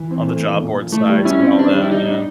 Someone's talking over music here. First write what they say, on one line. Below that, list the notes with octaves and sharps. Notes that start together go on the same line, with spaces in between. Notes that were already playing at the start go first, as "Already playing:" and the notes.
On the job board sites and all that, yeah.
Already playing: E3
C4
A3
A#2
A#2
F3
A3 E4
G3
C#4 E4
C4
G3 D4
G3
E4
G3 D#4
D4